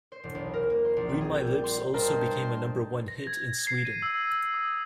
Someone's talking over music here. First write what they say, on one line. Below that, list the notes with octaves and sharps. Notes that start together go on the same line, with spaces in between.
"Read My Lips" also became a Number One hit in Sweden.
C5
E1
B1
A#4
A#3
C5
A#1
C4
G#4
G6
G3
C6
G2 A#4 C5 D#5 A5
A#6
G#6
C7
D#7
E6
D#6